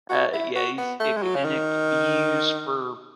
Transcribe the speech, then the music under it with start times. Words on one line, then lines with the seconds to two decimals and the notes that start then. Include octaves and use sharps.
Uh, yeah, he's it c and it could be used for
0.09 F#4
0.33 E4
0.55 F#4
0.78 B3
1.00 A3
1.16 G#3
1.23 F#3
1.35 C#3
1.44 D#3